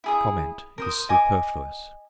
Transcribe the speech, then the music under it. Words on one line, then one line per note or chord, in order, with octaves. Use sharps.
Comment is superfluous.
E4 G#4 D#6
A#4 C5 D#6
D#5 G#5 D6